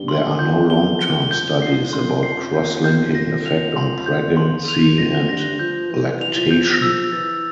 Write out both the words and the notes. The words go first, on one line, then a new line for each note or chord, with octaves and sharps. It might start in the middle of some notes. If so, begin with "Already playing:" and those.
There are no long term studies about crosslinking effect on pregnancy and lactation.
Already playing: G2 G7
C6
F2 G6
G7
G7
F2 G6
C7
C6
C7
G6
G6
A#6
F7
C6
G6
C6
F7
F2 A#6
G2 A#6
F3 G6
E3 G6
F7
F3
G6
F3 E6
E3 A6